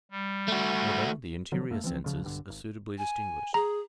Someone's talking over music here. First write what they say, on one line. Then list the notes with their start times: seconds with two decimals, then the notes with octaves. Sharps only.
Whether the Interior Senses Are Suitably Distinguished?
0.11 G3
0.48 A3 F#4
1.52 D3 F3 F#3
1.70 D1 F#2 A3 A#3
1.84 E3 F3 C4
2.04 D2 C#3 F3
2.22 B1 G2 D3
2.50 G#1
2.98 G#5
3.54 G#4 A#5